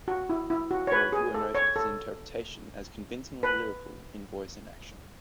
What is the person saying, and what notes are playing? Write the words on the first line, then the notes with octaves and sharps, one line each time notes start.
A reviewer noted his interpretation as convincingly lyrical in voice and action.
F#4
E4
E4
F#4
C#5
B4
G#4
A4
C#5
A4
B4